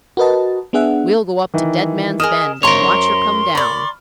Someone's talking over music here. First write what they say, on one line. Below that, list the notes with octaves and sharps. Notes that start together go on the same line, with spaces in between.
We'll go up to Dead Man's Bend and watch her come down.
F#4 A#4 B4 D#5 A5
B3 D4 G#4 E5 F#5
D#3 E3
G#4 A#4 D#5 D#6 F6 E7
G#1 A#4 C5 C#5 A#5 C6
F#2
D5 A#5 B5 C#6